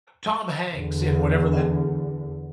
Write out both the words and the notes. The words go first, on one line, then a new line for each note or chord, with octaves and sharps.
Tom Hanks and whatever that
E2 D3